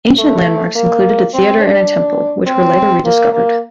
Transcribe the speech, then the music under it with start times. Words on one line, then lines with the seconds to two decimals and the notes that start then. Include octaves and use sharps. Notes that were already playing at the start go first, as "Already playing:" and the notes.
Ancient landmarks included a theatre and a temple, which were later rediscovered.
0.19 A3
0.76 A#3
1.34 C4
1.61 D4
2.47 C4
3.05 A#3
3.33 A#3